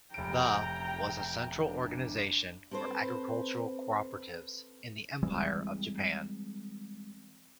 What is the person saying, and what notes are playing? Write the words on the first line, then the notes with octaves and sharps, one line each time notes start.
The was a central organization for agricultural cooperatives in the Empire of Japan.
F1 G5 A#5 D7
D4
C4 A4 B4 C5
E3 G3 G#3 C4